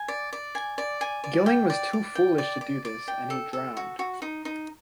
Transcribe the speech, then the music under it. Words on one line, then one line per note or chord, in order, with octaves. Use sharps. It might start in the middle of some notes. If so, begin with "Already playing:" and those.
Gilling was too foolish to do this and he drowned.
Already playing: G#5
D5
D5
G#5
D5
G#5
D5
G5
D5
D5
G5
D5
D5
D5
G5
A4
A4
F#4
F#4
D#4
D#4